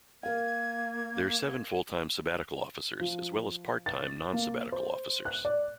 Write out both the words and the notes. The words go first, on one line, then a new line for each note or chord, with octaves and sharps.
There are seven full-time sabbatical officers, as well as part-time non sabbatical officers.
A#3 A#4 F5 G#6
F3
A6
A#3
C5
F#6
D5